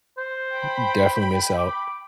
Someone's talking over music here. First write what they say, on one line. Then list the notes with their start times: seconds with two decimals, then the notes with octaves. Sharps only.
Y you definitely miss out.
0.18 C5
0.55 G5 B5
1.58 D6